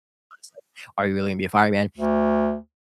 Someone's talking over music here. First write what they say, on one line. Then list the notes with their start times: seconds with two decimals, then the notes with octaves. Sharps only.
honestly, are you really gonna be a fireman?"
1.98 D2